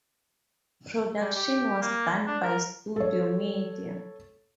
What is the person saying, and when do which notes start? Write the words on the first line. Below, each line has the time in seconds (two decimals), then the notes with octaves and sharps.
Production was done by Studio Media.
1.19 G3
1.35 G4
1.82 A#3
2.27 D4
2.43 A#4
2.96 A4 C#5